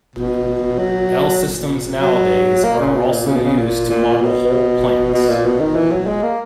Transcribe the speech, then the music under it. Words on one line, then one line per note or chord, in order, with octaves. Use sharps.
L-systems nowadays are also used to model whole plants.
B2
F#3
F#3
A#3
C#3
B2
A#2
C#3
B2
C#3
A#2
A#2
B2
B2
A#2
B2
D#3
E3
F#3
G#3
A#3